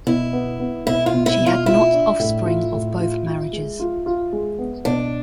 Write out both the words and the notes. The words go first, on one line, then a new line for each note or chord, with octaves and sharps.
She had not offspring of both marriages.
B2 E4
B3
B3
B2 E4
F4
B2
E4
B2
F4
E4 F4
D4
A2
F4
A2
F4
F4
G#3
F4
F4
G#3
B3
B2 D4